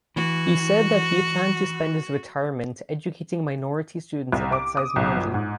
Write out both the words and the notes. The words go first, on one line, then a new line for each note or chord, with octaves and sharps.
He said that he planned to spend his retirement educating minority students about seismology.
E3 F#4
C2
D6
D#6
B1
G1
G#2